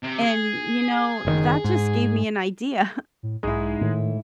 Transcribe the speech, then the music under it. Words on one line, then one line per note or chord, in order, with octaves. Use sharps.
and you know, that just gave me an idea,
C3
G#4
F#1 A2 D#3
G#2
A2
B1 G#2 G#3 D#4 E4 G#4
A2 D#3